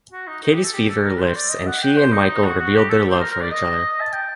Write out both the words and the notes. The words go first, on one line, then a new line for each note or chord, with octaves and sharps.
Katie's fever lifts and she and Michael reveal their love for each other.
F#4
D#4
D#4
G4
A4
G4
A4
A#4
C5
D5
D#5
F#5
G5
C5
D#4
D#4
F#4
F#4
G4
A4
C5
A#4
A#4
D5
D#5
A5
G5